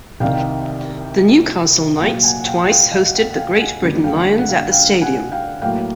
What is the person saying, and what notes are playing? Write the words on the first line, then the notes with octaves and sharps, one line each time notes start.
The Newcastle Knights twice hosted the Great Britain Lions at the stadium.
C2 C3 D#3 F5 G5
F#5
A#2 F#3 A#3 F5 G5
F#5 G#5
F#5
F5 G5
F5 G5
D#5 F5
F#5
F5 G5
F#5
F5 G5
F#5 G#5
F#2 D3 G3 A#3 D4
F5 G5
F#5
F5 G5
F5 G5
F#5 G#5
F5 G5
A2 F#3 A#3 F5 G5